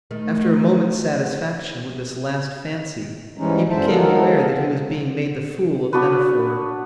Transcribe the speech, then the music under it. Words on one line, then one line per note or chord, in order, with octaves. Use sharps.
After a moment's satisfaction with this last fancy, he became aware that he was being made the fool of metaphor.
D#3 A3
G#2 E3 G3 G#3 C#4 D#4
F#2 D3 G#3 C5 E5 A5
F3 F#3 G#3 B3 A4 A#4
B3 D4 F#4 B4